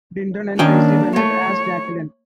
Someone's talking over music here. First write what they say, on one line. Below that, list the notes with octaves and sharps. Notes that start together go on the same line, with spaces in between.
Dindon and Tracie Bennett as Jacqueline.
D#3 A#3 C#4 D4 G5
A3 C#5